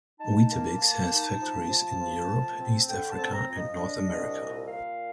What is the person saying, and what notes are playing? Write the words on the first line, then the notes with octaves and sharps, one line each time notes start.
Weetabix has factories in Europe, East Africa and North America.
D#4 A5
A#3
A#3
D#4
F3
F3
F3
F3
C4
D3 G5
A5
C4
A#5
F3
D#5
D4
C2
A#2
A#2 F5